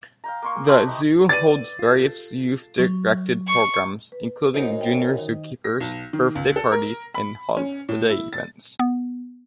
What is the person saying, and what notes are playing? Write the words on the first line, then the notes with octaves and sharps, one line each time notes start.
The zoo holds various youth-directed programs, including Junior Zookeepers, birthday parties and holiday events.
F5 G5 A#5
A#3 C6 C#6
G#4
F#4 G4 B4 E5 A5 C6
D#4
B4 D5 D6 A6 D#7
F4 A4
F#3
C#6
B4
F#2 D#4 C5 F#5
C5 G5
D#3
A#6
B1
D#3
C#2
A4
A#4
B5
C#4
A2
E4
A6
B3